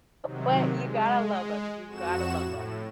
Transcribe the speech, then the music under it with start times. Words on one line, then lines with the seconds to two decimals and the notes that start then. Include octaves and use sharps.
But, you gotta love 'em, you've gotta love 'em.
0.24 C3 D#3 F#3
0.76 G#3
1.88 F2 F#4 E7
2.39 A2